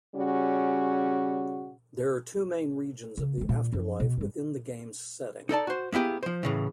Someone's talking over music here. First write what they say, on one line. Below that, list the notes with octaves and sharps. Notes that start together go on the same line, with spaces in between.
There are two main regions of the afterlife within the game's setting.
C#3 G3 C#4 F#4
C#3
D#3 G#3
A#2 D#3
F#2 F3
B2
G2 G3
D#4 A4 D5 A5
F#4 C5
A#3 B3 E4 G4 G#4
F3 C5
A2 C#3 E3